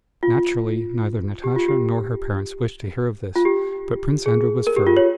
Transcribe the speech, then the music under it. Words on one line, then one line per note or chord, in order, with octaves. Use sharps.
Naturally neither Natasha nor her parents wished to hear of this, but Prince Andrew was firm.
F4
G4
F4
G4
F4
G4
G#4
A#4
G4
F4
C#5